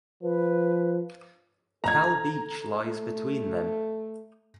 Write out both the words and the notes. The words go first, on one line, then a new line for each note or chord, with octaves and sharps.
Cal beach lies between them.
F3 B4
A4 A#5 G#6
A3